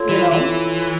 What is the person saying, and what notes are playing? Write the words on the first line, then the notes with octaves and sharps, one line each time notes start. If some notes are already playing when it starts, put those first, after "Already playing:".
You know?
Already playing: F4 A4 C#5
E3
E3